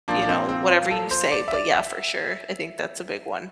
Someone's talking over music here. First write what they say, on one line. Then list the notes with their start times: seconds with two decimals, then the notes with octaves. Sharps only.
you know, whatever you say, but yeah, for sure. I think that's a big one.
0.08 A#2 F3 A#3 D4
0.22 D4
0.29 C4
0.49 C4
0.69 F4
0.91 A4
1.11 C5
1.32 D5
1.48 E5
1.53 D5
1.73 E5